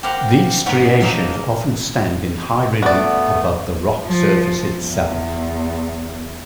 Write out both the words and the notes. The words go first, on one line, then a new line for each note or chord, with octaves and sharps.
These striations often stand in high relief above the rock surface itself.
G4 A#4 C5 F5 F#5
G#2 B3 C#4 D#4 F#4
F3 F#3 G#3 A#3 D#4 A#4
A3 B3 F#4 D5
F3
E2